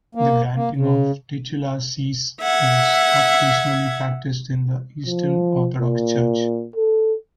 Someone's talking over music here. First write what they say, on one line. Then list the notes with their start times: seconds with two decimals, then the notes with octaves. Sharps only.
The granting of titular sees is occasionally practised in the Eastern Orthodox Church.
0.15 A#3
0.56 A#3
0.76 C#3
2.41 E5 F#5 G#6
5.06 F3
5.81 A#2
6.76 A4